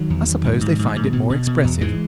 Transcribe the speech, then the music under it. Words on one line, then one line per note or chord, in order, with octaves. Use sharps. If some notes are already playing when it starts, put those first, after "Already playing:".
I suppose they find it more expressive.
Already playing: D#3 F#3
E2
E2
G#2
G#2
G#2
G#2
B2
B2
B2
E2
G#2 E3 G#3